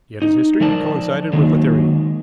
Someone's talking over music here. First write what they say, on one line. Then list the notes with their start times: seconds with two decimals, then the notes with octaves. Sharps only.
Yet his history coincided with my theory.
0.22 D#4
0.61 F3 A#4 D5 A5
1.33 D#3 F#3 G#3 A#3 D#4